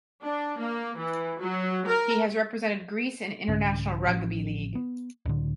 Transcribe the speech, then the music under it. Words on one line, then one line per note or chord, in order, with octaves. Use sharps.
He has represented Greece in International Rugby League.
D4
A#3
E3
F#3
A#4
C2 G#2 D3 C#4
A1 F3 C#4
B3
C#2 A2 D3